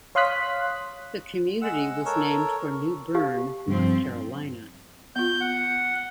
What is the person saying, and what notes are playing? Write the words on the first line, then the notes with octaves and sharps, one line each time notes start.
The community was named for New Bern, North Carolina.
C#5 F5 C6 D#6 F#6 B6
G#3 F#5 E6
A4 A#4 C#5
G4 F5
G2 F3 C4
B3 F4 G6
F#5